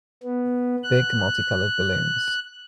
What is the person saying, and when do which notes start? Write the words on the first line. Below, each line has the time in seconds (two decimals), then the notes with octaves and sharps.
Big multicolored balloons.
0.23 B3
0.83 F#6